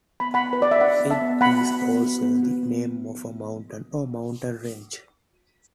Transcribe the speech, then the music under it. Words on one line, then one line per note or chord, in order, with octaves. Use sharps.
It is also the name of a mountain or mountain range.
B3 B5
F#5 B5
B3
B4
F#4 D5
E5
D4 D5 F#5
B3
E5 A5
B3
B3 F#5 B5
F#4
B3
F#4
B3
F#4
B3